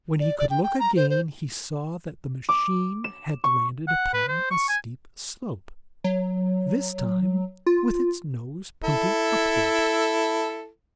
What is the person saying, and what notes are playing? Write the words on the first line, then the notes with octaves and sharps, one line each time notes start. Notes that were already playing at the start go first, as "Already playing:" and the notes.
When he could look again, he saw that the machine had landed upon a steep slope, this time with its nose pointing upward.
D5
D5
G5
G5
A#5
C5
C5
D6
E7
C#6
F#5
B4
C5
C#6
G#5
F#3
F4
E4 A4